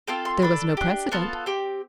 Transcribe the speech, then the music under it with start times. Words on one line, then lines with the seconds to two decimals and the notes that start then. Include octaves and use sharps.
There was no precedent.
0.08 C4 F4 A4 G5
0.25 C6
0.42 D4 A4 B5
0.77 D4 G4
1.12 B3 F4 A4 A5
1.46 C4 G4